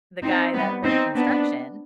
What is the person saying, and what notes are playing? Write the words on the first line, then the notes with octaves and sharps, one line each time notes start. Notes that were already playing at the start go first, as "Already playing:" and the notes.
the guy that worked construction,
C4 D#4
G3 B3
C4 D#4
B3 D4